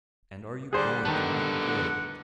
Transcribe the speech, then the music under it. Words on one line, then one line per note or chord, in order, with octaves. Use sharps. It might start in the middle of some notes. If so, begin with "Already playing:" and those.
And are you going to make good?
D3 G3 G#4 C5 F#5
D3 D#3 G3 B3 A5
F#5